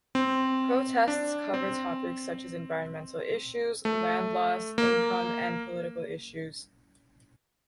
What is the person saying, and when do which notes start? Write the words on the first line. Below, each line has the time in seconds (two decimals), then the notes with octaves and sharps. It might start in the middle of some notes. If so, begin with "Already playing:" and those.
Protests cover topics such as environmental issues, land loss, income, and political issues.
0.15 C4
1.08 D4
1.54 C4
3.85 A3
4.78 A#3